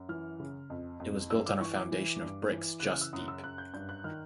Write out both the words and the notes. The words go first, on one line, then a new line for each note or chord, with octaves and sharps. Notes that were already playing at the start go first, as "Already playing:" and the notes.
It was built on a foundation of bricks just deep.
Already playing: F#2
E3 F6
C#3
F2
F2
G2 E6
D6
E3 C#6
D6
E3
G2
E3
C#3 F#6
F6
E6
F#2 D#6
E6
F#2 F#6
G6
G2 G6
F#6
D#3 F6